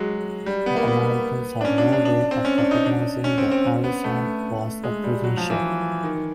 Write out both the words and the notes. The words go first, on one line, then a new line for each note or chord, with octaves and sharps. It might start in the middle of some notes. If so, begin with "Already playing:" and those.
The Americans had no way of recognizing the "Arisan" was a prison ship.
Already playing: F#3 G#3
G3
B3
A#3
B3
D4
C#4
D4
D4
D4
C4
C#4
D4
D#4
D4
C#4
C4
C4
B3
A3
G#3
G3
F#3
F3
E3
D#3